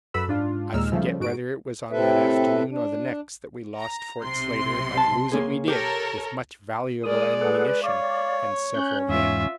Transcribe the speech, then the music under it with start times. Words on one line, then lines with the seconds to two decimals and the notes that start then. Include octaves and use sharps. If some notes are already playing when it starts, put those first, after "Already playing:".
I forget whether it was on that afternoon or the next that we lost Fort Slatter; but lose it we did, with much valuable ammunition and several men.
0.14 F#2 F#4 A4 B4 B5 E6
0.28 G#2 D4 F4
0.74 D#2 A#2 G#3 D#4 E6 F6
0.92 C#3 F3 G3 A3
1.20 G#2 F#4 D7
1.91 A2 C3 C4 A4 B4 E5
2.71 D4
3.77 A#5
4.22 B1 C3 C6
4.98 A5
5.32 A#3 C#4 G#4
5.68 G4 A4 A#4 C#5
7.03 G#3 A#4 D5 D#6
7.41 G#4 A4 B4 F#5
7.84 C#5 D5 F5
8.74 C#4 F#6 G6
9.09 E2 G#2 F4 E5